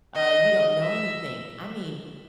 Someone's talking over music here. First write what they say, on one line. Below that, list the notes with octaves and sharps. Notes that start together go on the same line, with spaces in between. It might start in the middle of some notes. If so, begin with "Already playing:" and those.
uh, you don't know anything. I mean,
D#5
E5